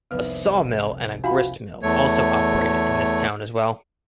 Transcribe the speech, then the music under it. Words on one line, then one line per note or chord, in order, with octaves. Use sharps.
A saw mill and a grist mill also operated in this town as well.
F1 C2 B3 B4 D#6
D4 F4 F#4 E5 F5 B5
E2 A3 C#5